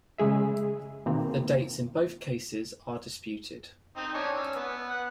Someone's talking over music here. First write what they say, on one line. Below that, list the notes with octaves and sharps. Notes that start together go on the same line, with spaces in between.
The dates in both cases are disputed.
C#3 G#3 G#4 E5
B2 D#3 A#3 C4
C4 D#4
D4 C#5 G#5
C#4 E6
B3
F#5